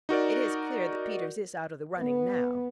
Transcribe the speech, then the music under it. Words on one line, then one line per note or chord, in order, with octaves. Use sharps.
It is clear that Peters is out of the running now.'
D#4 F#4 A#4 D5
B3